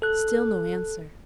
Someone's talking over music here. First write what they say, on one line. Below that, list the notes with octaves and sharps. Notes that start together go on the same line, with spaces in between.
Still no answer.
A4 F#6